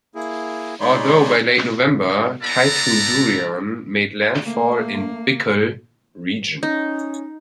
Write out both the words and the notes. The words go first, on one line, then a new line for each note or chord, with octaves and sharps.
Although by late November, Typhoon Durian made landfall in Bicol region.
A#3 E4 G#4
G#3 D#4 C#5 D5 B5 C6
B3 E4 A4 D5 A5 A#5
A3 A#3
C#4 D#4